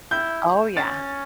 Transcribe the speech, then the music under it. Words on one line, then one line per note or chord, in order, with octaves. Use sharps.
Oh, yeah.
E4 G6
C#4 A6